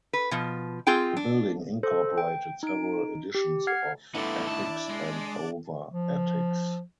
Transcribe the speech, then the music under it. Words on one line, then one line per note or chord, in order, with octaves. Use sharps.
The building incorporated several additions of attics and over attics.
B4
B2 F3
C4 F4 G#4 G5
D4
A4 C5
G5
D#4 D7
G4
F#5 F6 G#6 C7
A2 D#3 B3 D4 E4 A4 D5
A5
G#3
F3